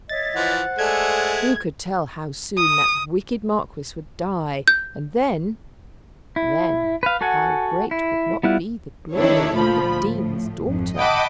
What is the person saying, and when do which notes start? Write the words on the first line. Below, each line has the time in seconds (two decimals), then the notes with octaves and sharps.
Who could tell how soon that wicked Marquis would die; and then,--then how great would not be the glory of the Dean's daughter!
0.09 C#5 D#5 E5 A6
0.35 E3 F3 C5 F#5
0.79 G#3 A3 A4 D5 G#5 G#6
2.57 D#6
4.68 G6
6.36 E4
7.03 B4 F5
7.21 F#4 A4 F#5 G#5
7.91 E4
8.43 G3 B3 E4 F4 F#5
9.14 D#3 D4 E4 A4 C#5
9.55 D2 A#2 F3 B5
10.03 A2 F3
10.59 G#1 F2
10.98 D#5 F#5 G5 A5 B5 D6